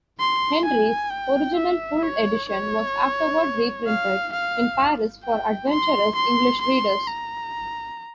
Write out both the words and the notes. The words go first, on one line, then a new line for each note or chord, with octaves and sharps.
Henry's original full edition was afterward reprinted in Paris for adventurous English readers.
C6
G#5
G5
E5
C#5
C#5
F5
F5
G5
C6
C6
C6
A#5